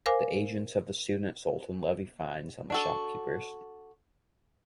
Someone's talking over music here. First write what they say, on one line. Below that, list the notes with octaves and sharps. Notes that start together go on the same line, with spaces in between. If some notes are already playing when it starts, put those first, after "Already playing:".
The agents of the student-sultan levy fines on the shopkeepers.
A#4 C5 F5 G#5 D6
D4 F#4 A4